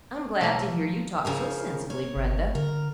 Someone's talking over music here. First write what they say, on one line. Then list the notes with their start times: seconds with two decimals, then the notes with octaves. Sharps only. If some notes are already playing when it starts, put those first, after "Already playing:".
I'm glad to hear you talk so sensibly, Brenda.
0.41 B1 A3 A#3 C#5
0.74 F3
1.25 C#3 F3 A#4
1.90 C#5
2.16 G1
2.55 D3 A#4